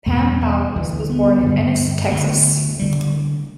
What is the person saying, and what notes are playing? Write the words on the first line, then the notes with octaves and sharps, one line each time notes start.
Pam Bowers was born in Ennis, Texas.
E2 B2 A3
E3
G3
G3
D2 D3 E3
B3
G2 D3
D2 D3 A3
D3 G3